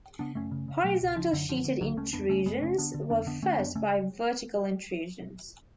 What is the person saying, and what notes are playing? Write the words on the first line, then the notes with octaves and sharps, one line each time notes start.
Horizontal sheeted intrusions were fed by vertical intrusions.
C#3 B3 D4
F#2 A3 C#4
C#3
C#3
B2 F#3 A3
C#2
C#3 F3
F#2 D3
D3 F3
D3
C#2 D3 F#3
C#2 A3 C#4
F2 B3 D4
C#3 A3 C#4
F#2 G#3 B3
C#3 A3 C#4
D3 B3 D4
D3
F2 B3 D4
D3 B3 D4
D3 A3 C#4
F#2 B3 D4
C#3 A3 C#4